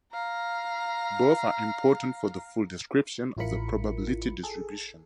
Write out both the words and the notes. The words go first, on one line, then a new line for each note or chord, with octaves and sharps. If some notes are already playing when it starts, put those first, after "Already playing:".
Both are important for the full description of the probability distribution.
F5 A#5
A1 E4 F4 A#4 B5 C#7
G#4 A4